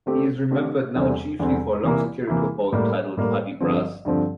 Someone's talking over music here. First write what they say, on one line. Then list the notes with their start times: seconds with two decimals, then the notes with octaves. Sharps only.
He is remembered now chiefly for a long satirical poem titled "Hudibras".
0.06 D3 A3 C4 G4
0.51 D3 A3 C4 G4
0.95 E2 D3 G3 C4
1.39 E2 D3 G3 C4
1.83 C3 E3 A#3 E4
2.27 C3 E3 A#3 E4
2.72 A2 G3 A#3
3.17 A2 G3 A#3
3.60 G2 D3 F3 C4
4.05 G2 D3 F3 C4